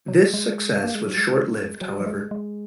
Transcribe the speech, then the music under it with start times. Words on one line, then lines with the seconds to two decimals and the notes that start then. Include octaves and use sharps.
This success was short-lived, however.
0.08 F#3
0.34 G#3
0.84 A#3
0.95 G#3
1.06 F#3
1.17 G#3
1.81 F#3
2.01 F#3
2.06 G#3
2.31 G#3